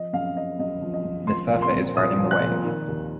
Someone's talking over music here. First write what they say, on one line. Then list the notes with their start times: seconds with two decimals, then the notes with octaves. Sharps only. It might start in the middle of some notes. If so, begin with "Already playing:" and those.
The surfer is riding the wave.
Already playing: F3 D#5
0.13 F#2 F5
0.36 C4 D#5
0.59 F#2 D#5
0.82 F3
0.94 D#5
1.04 F#2
1.27 F3 C6
1.51 A#2
1.62 C6
1.73 C4
1.96 A#2 D#6
2.18 F3
2.31 F#6
2.41 A#2
2.64 D#3
2.88 D#2